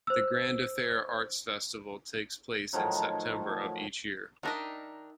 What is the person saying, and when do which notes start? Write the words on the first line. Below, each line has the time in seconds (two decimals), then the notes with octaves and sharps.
The Grand Affair Arts Festival takes place in September of each year.
0.07 C5 E6
2.73 A2 D#3 F3 F#3
4.43 D#3 D4 D#4 A#4 D#5 E5